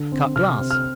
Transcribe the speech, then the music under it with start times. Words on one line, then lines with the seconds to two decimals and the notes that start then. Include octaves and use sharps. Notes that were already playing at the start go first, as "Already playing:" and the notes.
Cut glass.
Already playing: D3
0.12 C4
0.36 C3 F6
0.59 C4
0.71 F6